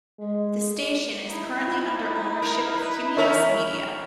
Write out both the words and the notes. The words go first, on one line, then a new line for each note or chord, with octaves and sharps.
This station is currently under ownership of Cumulus Media.
G#3
D#4 E4
F4
A#4
B4
E3 C#4 A#4 C#5 E5